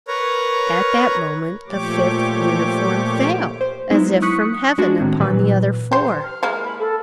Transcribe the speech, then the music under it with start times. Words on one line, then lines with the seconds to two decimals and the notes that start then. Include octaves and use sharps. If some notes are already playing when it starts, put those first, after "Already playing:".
At that moment, a fifth uniform fell, as if from heaven, upon the other four.
0.08 A#4 B4 C#5 A#5
1.67 A#2 F3 A3 G4 C#5 D6
3.61 C5
3.91 F#3 G#3 B3 D#4 E4
4.22 C#6 D#6 F#6 B6 C#7
4.78 G#3 D4 F#4
5.00 A2 D#3 C4
5.20 A#2 E3 F#3 B4
5.92 G4 C5
6.23 F6
6.43 G#3 A#3 E4
6.64 B5
6.79 A4